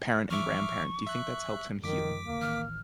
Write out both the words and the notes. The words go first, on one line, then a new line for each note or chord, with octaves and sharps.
parent and grandparent, do you think that's helped him heal?
E3 F3 E5 C#6 D6 F6
E5 F#6
F#2 D#3 F3 G#3 D6 B6
E1 D2 A#3
A1 D#3 E3 F6